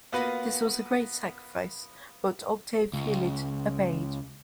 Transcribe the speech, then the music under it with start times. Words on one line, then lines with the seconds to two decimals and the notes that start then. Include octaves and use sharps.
This was a great sacrifice, but Octave Feuillet obeyed.
0.12 A#3 B3 F4 F#4 B4
2.93 C#2